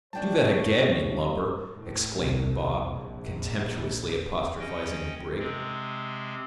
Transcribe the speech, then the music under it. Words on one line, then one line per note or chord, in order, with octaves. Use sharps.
"Do that again, you lubber!" exclaimed Bob, contemptuously apostrophising the brig.
F3 G3 A3 D4 C#5 G5 A5
A2
C2
A#1
C#4 D#5 G5
C3 G#3 C4